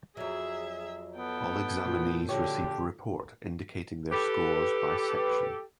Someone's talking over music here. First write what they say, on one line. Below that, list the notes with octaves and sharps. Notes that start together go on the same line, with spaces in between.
All examinees receive a report indicating their scores by section.
F2 F#3 G#4 E5
B3 A4 G5
A#2 F3
D3 F#4 G4 C#5
G4 A4 B4